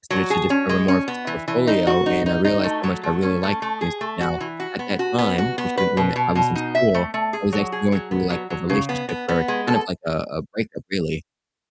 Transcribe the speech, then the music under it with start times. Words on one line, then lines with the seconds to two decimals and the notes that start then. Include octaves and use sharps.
I started to discover more of his portfolio and I realized how much I really liked his music, now at that time, which in when I was in school, I was actually going through like a relationship where it's kind of like a a breakup really,
0.10 F#3
0.30 G#4
0.50 C#4
0.69 G#3
0.88 C#4
1.08 B3
1.27 E3
1.48 E3
1.67 D#4
1.87 F#4
2.06 D#4
2.26 D#4
2.45 D#4
2.64 A3
2.83 F#3
3.03 A3
3.23 C#4
3.43 A3
3.62 A3
3.81 G#4
4.01 A3
4.20 F#4
4.40 E3
4.60 F#4
4.79 B3
4.99 F#4
5.18 B3
5.38 F#4
5.58 B3
5.77 B4
5.97 B2
6.16 B2
6.35 B2
6.56 D#4
6.75 E5
6.94 A3
7.14 A3
7.33 G#4
7.52 F#3
7.72 G#4
7.92 F#3
8.11 B3
8.30 F#3
8.50 F#3
8.69 C#3
8.89 B3
9.09 B3
9.29 B3
9.48 G#3
9.67 A4